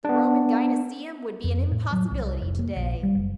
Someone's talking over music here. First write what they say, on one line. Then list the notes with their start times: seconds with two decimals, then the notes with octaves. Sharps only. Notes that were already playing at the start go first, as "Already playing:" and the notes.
The Roman Gynaeceum would be an impossibility to-day.
0.05 B3 D4
1.44 F2
1.72 A2
1.92 F#3
2.11 C2
2.42 F1
2.59 A#3
2.76 A#1
3.03 G3
3.15 F#1